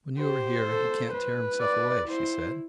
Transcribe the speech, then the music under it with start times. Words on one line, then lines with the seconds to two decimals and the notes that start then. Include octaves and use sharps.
"When you are here he can't tear himself away," she said.
0.19 G4 C5
0.66 A4
1.14 B4
1.61 D5
2.09 E4 C5